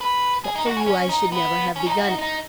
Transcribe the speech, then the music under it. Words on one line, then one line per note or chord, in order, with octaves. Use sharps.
But for you I should never have begun it.
B4
G#4
D#4
F#4
C#4
C#4
D#4
B3
C#4
D#4
F#4
D#4
D#4